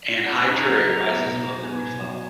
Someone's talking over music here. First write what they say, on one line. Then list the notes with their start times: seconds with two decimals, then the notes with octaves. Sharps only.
An high turret rises above the roof level.
0.22 F#5
0.36 G#5
0.50 D#4 A#5
0.69 F#3
0.88 F#3
1.06 B3
1.26 B2
1.44 F#3
1.63 B3 G#5
1.82 B2
2.01 F#3